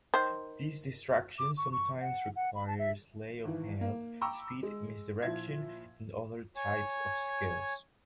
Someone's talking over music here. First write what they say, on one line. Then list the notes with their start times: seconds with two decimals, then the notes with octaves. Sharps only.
These distractions sometimes require sleight of hand, speed, misdirection and other types of skills.
0.14 D#3 C5
1.39 D6
1.57 C#6
1.72 C#6
2.01 F#5
2.36 F#5
2.55 B5
2.67 A5
2.79 E5
3.44 G#1 E3
3.81 A#3
4.21 G5 A#5 B5 C#6 D6 E6
4.63 G#3
5.22 A#2 F3 E4 E5 G#6
6.56 C#5 G#5